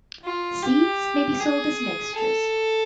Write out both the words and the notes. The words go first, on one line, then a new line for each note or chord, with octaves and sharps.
Seeds may be sold as mixtures.
F4
G4
G#4
A4